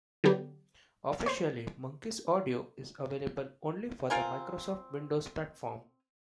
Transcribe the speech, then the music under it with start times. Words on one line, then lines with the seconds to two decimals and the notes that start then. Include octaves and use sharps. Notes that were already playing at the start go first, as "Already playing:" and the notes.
Officially, Monkey's Audio is available only for the Microsoft Windows platform.
0.24 D3 F#3 B3 G4
1.26 C5 C#5
4.10 C4 F4 A#4 G#5